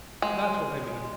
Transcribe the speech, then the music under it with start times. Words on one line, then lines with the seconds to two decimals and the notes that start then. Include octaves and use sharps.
That's what I mean.
0.22 G#3